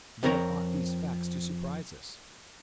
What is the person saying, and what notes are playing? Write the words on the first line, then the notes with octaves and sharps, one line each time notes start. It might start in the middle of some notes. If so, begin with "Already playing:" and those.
Nor ought these facts to surprise us.
F2 C4 A#4 C#5 A#5